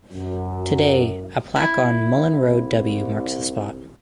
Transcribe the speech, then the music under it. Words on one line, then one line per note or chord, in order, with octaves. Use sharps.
Today a plaque on Mullan Road W. marks the spot.
F#2
E4
C2